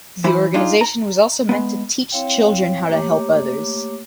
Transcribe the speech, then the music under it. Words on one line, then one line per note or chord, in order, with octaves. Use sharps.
The organization was also meant to teach children how to help others.
E3 E4 C5 B5
D4 D#4 F4 G#4
A#5
G#3 B3
C4 E4 C#5 F5 G5
A3 A#3 G4 C#5 D6